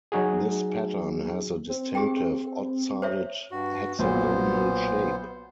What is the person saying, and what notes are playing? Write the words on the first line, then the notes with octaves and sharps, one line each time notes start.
This pattern has a distinctive odd-sided hexagonal shape.
F#3 D#4 F#4 G#4
C4
G4 G#4 G5
C5 C#5 E5
G2 F#4
B1 A#2 B3 C5